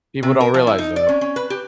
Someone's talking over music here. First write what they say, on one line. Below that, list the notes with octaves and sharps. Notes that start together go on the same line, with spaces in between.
People don't realize that.
C3
A#4
F3
E4
D#4
D5
C#4
C#4
B4
G4